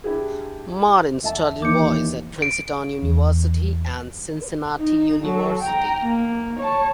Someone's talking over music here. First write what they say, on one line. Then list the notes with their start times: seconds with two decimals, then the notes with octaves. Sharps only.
Martin studied voice at Princeton University and Cincinnati University.
0.04 D4 E4 G4 G#4
1.23 E2 E5 A5
1.62 D#2 E3 D6 G6 C#7
2.42 D7
3.03 E2
4.77 D#4
5.23 F#3 A4
5.62 G5 A#5
6.02 A#3
6.60 C#5 A5